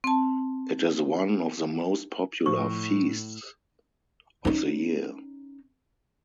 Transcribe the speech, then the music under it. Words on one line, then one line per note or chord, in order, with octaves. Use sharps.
It is one of the most popular feasts of the year.
C4 A5
A2 F3 C#6
C#4 D#4